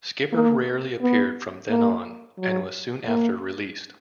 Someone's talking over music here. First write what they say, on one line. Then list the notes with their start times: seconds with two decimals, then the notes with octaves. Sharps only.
Skipper rarely appeared from then on and was soon after released.
0.32 A#3
1.01 B3
1.69 A#3
2.38 F#3
3.07 A#3